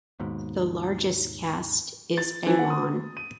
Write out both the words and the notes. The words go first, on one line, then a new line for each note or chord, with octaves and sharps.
The largest caste is Awan.
D#2 G#2 B2
A6
E3
F#5
D#6
D#7